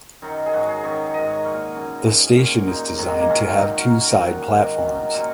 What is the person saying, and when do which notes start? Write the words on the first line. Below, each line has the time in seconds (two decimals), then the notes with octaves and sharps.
The station is designed to have two side platforms.
0.22 F#2 D#3 F#3 D#4
0.46 G#4
0.53 G#2 F#3 F#4
0.68 G#4
0.84 F#2 D#3 F#3 C#5
1.14 G#2 F#3 D#5
1.30 C#5
1.45 A#2 F#3 A#4
1.76 F#2 C#3 F#3
2.06 F#2 F#3 G#4
2.37 A#2 F#3
2.67 A#2 F#3 D#4
2.98 G#2 D#3 F#3
3.19 A#3
3.29 G#2 D#3 F#3 C#4
3.59 A#2 F#3 D#4
3.75 F#4
3.90 F#2 F#3 A#4
4.21 A#2 F#3 F#5
4.51 G#2 D#3 F#3
4.82 F#2 D#3 F#3
5.13 A#2 F#3